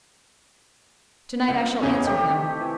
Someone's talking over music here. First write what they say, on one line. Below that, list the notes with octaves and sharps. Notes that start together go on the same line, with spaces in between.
To-night I shall answer him.
C#2 C4
E2 C#3 C#4
C3 A3 D#4 G4
E3